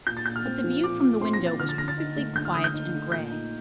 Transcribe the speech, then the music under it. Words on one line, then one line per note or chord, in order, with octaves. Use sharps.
But the view from the window was perfectly quiet and grey.
A#2 G6
A6
A#2 G6
F6
C4
F3
A#2 D6
A#2
C4 C6
A#6
F3
A6
D3 F6
A6
D3 A#6
A6
D#4
A3
D3 G6
F6
D3 D#6
G6
D#4
A3
A#2 G6
D#4